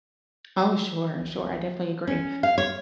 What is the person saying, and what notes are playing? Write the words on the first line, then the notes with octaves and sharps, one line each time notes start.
Oh, sure, sure, I definitely agree,
C#4
F5
C#5